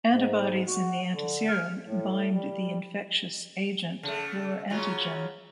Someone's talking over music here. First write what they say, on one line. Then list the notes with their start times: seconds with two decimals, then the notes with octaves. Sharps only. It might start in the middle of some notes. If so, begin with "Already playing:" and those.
Antibodies in the antiserum bind the infectious agent or antigen.
0.10 G#2
0.68 F#4
1.13 D3
1.49 F6
1.86 A2
2.33 G3
4.03 C#3 A3
4.70 C#3 F#3 F4